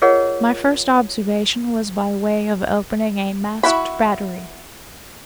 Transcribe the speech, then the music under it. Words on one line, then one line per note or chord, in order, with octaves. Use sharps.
My first observation was by way of opening a masked battery.
F4 G#4 A#4 C#5 D#5 F#5
E4 F#4 B5